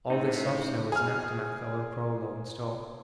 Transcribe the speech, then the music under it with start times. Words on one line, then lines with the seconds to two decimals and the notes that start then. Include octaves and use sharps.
All this soft snow is an aftermath of our prolonged storm.
0.10 A2 C3 C4 C#4 D#4
0.92 G#4 F6